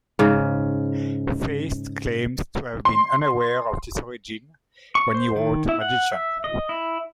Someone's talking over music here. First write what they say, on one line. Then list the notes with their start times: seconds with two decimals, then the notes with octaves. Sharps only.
Feist claims to have been unaware of this origin when he wrote "Magician".
0.19 G#2 C#3
2.85 C6
4.95 C#6
5.14 C5
5.36 D#3
5.69 E4
5.81 F#5
6.12 E5
6.44 D#5
6.69 E4